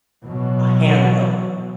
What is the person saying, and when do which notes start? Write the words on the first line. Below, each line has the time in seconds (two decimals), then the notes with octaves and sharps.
a handheld,
0.24 B2 E3 F#3